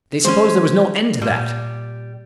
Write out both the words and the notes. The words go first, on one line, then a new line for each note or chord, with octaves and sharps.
They supposed there was no end to that.
G#3 C#4 C5
A#2 G3